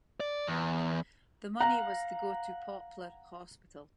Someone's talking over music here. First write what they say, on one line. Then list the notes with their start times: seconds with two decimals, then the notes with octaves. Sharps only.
The money was to go to Poplar Hospital.
0.20 D5
0.47 E2
1.60 F5 F#5 A#5